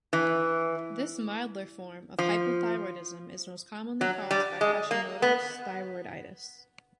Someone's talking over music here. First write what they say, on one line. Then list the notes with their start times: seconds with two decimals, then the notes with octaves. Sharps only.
This milder form of hypothyroidism is most commonly caused by Hashimoto's thyroiditis.
0.13 E3
2.19 F3
4.01 F#3
4.31 G3
4.61 G#3
4.91 A#3
5.22 B3